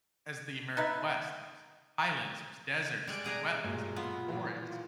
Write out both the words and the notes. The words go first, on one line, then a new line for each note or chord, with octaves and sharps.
as the American West. There's highlands, there's deserts, there's wetlands, there's forests.
D#4 B4 E5
G3 G#3 D5 F#6 D7
B2 G#4 A#5
G2 A#2 F#3 G#3
B3 F4
A#2 E3 A#3